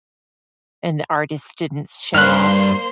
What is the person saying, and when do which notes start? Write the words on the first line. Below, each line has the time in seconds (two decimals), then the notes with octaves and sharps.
And the artist didn't s show up,
2.15 G2 A#3 C5 C6 F6 F#6